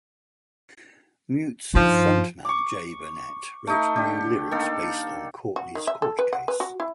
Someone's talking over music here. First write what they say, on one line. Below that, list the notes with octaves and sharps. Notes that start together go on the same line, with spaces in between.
Mute's frontman Jay Burnett wrote new lyrics based on Courtney's court case.
G2 F3 D#4
C#6 D6
A3 D#4
D3 G4
D#3 A#3 A4
F#4
D#3
E5
A4
B4
F#5
B4
F#4
E4